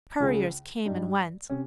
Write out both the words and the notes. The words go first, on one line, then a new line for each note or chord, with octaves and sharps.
Couriers came and went.
C#2 C#3 G#3
G2 G3 D#4
C3 C#4